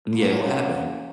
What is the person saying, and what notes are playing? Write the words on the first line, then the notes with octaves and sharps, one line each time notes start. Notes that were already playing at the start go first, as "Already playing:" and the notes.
Yeah. What happened?
F#3 A#3 C#4